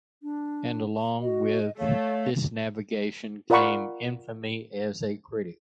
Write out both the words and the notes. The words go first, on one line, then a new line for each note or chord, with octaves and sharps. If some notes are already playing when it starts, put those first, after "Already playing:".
And along with this navigation came infamy as a critic.
D4
F#4 D#5
A3 C#5 F5
F4 A#4 D5 F#5 B5 C#6